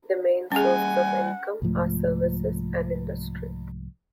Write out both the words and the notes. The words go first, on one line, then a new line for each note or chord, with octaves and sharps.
The main sources of income are services and industry.
G3 C#4 G#4 D#5 F#5 G#5
C2 G#2 F3 A3